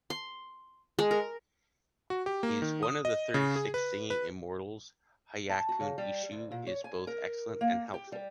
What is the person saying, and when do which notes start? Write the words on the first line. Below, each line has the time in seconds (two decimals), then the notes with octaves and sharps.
Is one of the thirty-six singing immortals. Hyakunin Isshu is both excellent and helpful.
0.10 C6
0.99 G#3
1.11 A#4
2.10 F#4
2.26 G4
2.43 A#3
2.62 D#3
2.83 D#6
3.05 D#5
3.34 C#3
3.56 G#4
3.74 B4
4.10 B4
5.50 A5
5.69 F#4
5.80 C#3
5.98 G3
6.32 D2
6.52 A#2
6.67 C#5
6.84 G#5
7.07 A#4
7.61 A#3
7.94 G4
8.12 G3